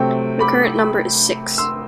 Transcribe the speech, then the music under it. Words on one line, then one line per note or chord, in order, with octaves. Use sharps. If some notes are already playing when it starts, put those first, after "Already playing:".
The current number is six.
Already playing: C3 F#3 A3 C4 G5
B5 D6
C6 E6